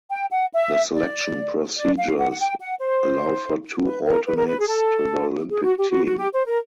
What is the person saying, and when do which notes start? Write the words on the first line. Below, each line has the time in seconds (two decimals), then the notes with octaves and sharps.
The selection procedures allow for two alternates to the Olympic Team.
0.11 G5
0.31 F#5
0.53 E5
0.94 D5
1.77 D5
1.98 F5
2.18 F#5
2.31 F#5
2.39 G5
2.60 F#5
2.80 C5
3.84 B4
4.05 A#4
4.26 B4
4.38 A#4
4.47 B4
4.60 G#4
4.67 A4
5.50 G#4
5.64 F#4
5.78 G4
5.91 F#4
6.06 F#4
6.19 G4
6.33 C5
6.46 A#4